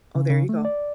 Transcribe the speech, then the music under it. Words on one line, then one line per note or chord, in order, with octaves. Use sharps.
Oh, there you go.
C#3
C#3
A3
D5